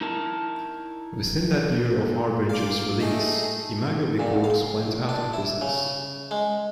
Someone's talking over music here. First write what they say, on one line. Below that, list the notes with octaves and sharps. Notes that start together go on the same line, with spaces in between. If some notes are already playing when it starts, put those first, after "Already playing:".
Within that year of "Harbinger"'s release, Imago Records went out of business.
D#4 E4 A#4 A5
A#2
A#3 F5 D6
A3 D#4 G#4
A#2
F5
D4
E4
C#3
G#3